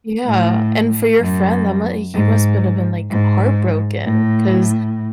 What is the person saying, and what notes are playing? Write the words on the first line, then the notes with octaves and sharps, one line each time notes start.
Yeah, and for your friend, that m he must been a been, like, heartbroken 'cause
A2
F#2
G#2
G#2
A2